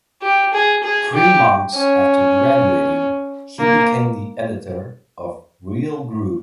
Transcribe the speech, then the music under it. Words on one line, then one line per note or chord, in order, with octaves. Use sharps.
Three months after graduating he became the editor of "Real Groove".
G4
G#4
G#4
G4
C#4
A#3